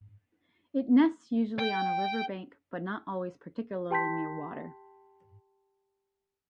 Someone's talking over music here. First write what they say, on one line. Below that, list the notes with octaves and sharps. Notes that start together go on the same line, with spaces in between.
It nests usually on a river bank, but not always particularly near water.
G5
G4 G5 A5 C6 G6 B6